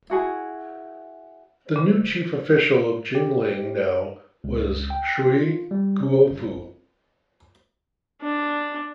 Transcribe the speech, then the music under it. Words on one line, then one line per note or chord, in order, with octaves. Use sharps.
The new Chief Official of Jingling now was Cui Guofu.
E4 F#4 G#4
C#3
G4
C#2
G5
F4
G3
C#4
G1
D4